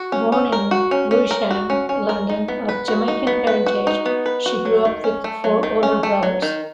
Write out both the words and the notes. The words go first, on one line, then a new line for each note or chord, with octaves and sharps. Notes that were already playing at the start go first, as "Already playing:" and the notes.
Born in Lewisham, London, of Jamaican parentage, she grew up with four older brothers.
Already playing: F#4
C#4
C#4
A#4
F#4
C#4
C#4
A#4
F#4
C#4
C#4
A#4
D#4
B3
B4
F#4
D#4
B3
B4
F#4
D#4
B3
B4
F#4
F#3
D#3
C#4
A3
F#3
D#3
C#4
A3
F#3
D#3